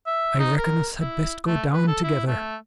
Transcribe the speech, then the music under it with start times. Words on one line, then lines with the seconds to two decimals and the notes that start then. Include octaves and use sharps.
"I reckon us had best go down together."
0.06 E5
0.39 D#4
0.57 A#4
1.00 E4
1.46 A3
1.74 B4
1.87 A4
2.03 E4
2.27 A3